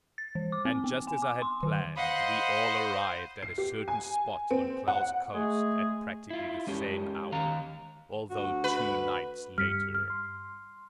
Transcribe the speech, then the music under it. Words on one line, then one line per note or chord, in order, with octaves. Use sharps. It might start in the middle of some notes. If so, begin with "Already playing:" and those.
And, just as I had planned, we all arrived at a certain spot on Klow's coast at practically the same hour, although two nights later.
A6
E3
D6
C4
B3
G#5
D6
C6
D#3
C5 D#5 F5 F#5 B5
C7
G4
G#5
C4
F#5
G#3 A3 G#4
E4 F4
G#3 C#4 G4
D#3 F5 A#5
D2 F#4
B4
G2 G3 F6 B6 C#7
F6
C6